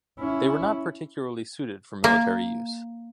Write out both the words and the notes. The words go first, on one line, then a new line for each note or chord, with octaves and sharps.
They were not particularly suited for military use.
C#4 E4
A#3